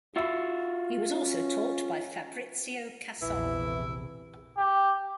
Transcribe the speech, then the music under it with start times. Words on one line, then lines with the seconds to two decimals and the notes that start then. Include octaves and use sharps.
He was also taught by Fabrizio Cassol.
0.16 F4 F#4 E5
1.10 C#4
3.22 A#1 E2 C3 E3 E4
4.58 G4